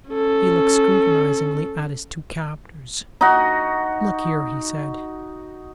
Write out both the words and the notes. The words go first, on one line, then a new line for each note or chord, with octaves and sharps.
He looked scrutinizingly at his two captors. "Look here!" he said.
C#4 A4
D#4 F#4